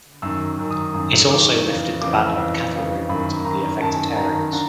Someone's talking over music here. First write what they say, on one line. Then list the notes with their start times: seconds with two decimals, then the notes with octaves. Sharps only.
It also lifted the ban on cattle movement in the affected areas.
0.22 F#2 D#3 E6
0.59 F#2 D#3
0.71 D#6
0.94 F#2 D#3
1.30 F#2 D#3 D6
1.66 F2 C#3 E3
2.01 F2 C#3 E3 D6
2.13 E6
2.26 E6
2.38 F2 C#3 E3
2.74 F2 C#3 E3
3.09 F#2 D#3 B5
3.45 F#2 D#3 A#5
3.81 F#2 D#3 A5
3.93 G#5
4.05 A5
4.16 F#2 D#3 A#5
4.53 D3 A#5